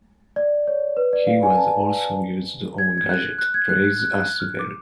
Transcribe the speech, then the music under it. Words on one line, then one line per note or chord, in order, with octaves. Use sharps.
He was also used on gadget plays as well.
D5
C#5
B4
D5
F5
G#5
A5
G#6
G#6
F#6
F#6
G#6
F#6
F#6
F#6
F#6
F6
D6